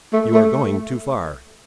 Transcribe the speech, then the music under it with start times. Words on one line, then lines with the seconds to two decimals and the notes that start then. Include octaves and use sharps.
You are going too far!
0.13 A3
0.34 A3